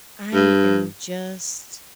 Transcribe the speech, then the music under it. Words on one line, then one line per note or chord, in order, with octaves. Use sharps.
I am just
G2